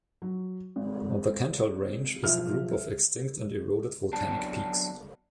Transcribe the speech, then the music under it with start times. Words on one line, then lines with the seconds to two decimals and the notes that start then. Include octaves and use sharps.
The Cantal range is a group of extinct and eroded volcanic peaks.
0.22 F#3
0.76 G#1
2.24 B1 F3 E5 F6
4.13 F#3 B3 D4 G5 A5